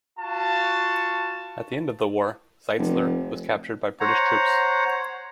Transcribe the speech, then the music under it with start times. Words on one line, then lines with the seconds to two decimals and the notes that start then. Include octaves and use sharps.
At the end of the war, Zeitzler was captured by British troops.
0.18 F4 F#4 A5
2.78 F1
4.00 C5 C#5 F#5 A#5